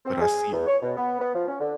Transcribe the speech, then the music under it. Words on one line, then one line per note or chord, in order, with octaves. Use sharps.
But I see
C4
G#4
E2
C#5
B2
B3
B3
F3
C#4
D3